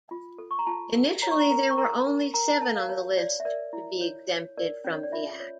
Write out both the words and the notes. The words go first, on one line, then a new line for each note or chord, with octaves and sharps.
Initially there were only seven on the list to be exempted from the act.
F4
A4
C#6
A#5
F4 A5
A#4
C#5 A#5
C#6
A#5
A#4 A#5
C#6
A#4 A#5
A#4
A#4 A#5
A#5
A#4 A5
F5
C#5
C#5 D5
E5
A#4 D5
E4
C#5
C#5
A#4 D5
C#4
C#5
D5
F4 E5
C#5